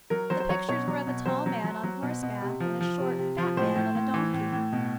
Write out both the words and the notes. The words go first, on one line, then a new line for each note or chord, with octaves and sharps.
The pictures were of a tall man on horseback, and a short, fat man on a donkey.
F#3 A#4
F#3 C5
C5
F#3 C#5
B2 C#5
F#3
B2
F#3 C5
F#3
F#3
F#3
B2
B2
C3
F3
F3
C3
C3
F3
A2 C5
A2
A2
E3
A2
A2
B2